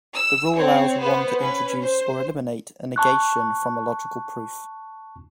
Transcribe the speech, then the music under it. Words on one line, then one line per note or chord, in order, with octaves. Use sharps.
The rule allows one to introduce or eliminate a negation from a logical proof.
E6
C4 C#5
B3 B4 C5
C#4 B4
C5
A5 C#6 F#6